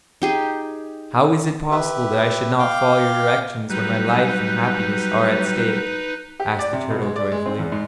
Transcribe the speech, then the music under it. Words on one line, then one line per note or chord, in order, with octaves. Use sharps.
'How is it possible that I should not follow your directions when my life and happiness are at stake?' asked the turtle joyfully.
D#4 G4 G#4
G4 B4 E5
F5 G5 D6
F#3 G3 D#4 B4
G4
D5
C3
B2
G#3
D5
G#3
C4
E2
G#2